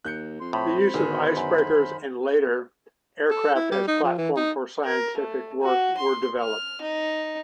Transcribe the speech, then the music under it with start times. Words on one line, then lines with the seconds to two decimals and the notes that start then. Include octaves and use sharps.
The use of icebreakers and, later, aircraft as platforms for scientific work were developed.
0.05 D#2 F#6 G6 C#7
0.41 F2 C6
0.53 A2 C5 B5
0.94 G#1 B2 D3 D#3 G#4
1.37 F#2
3.31 A4
3.55 E4
3.72 G3
3.88 D#4
4.03 F3
4.18 E3
4.37 D#4
4.84 A#4
5.17 A3
5.61 F#4
5.97 C6
6.40 F6
6.81 D#4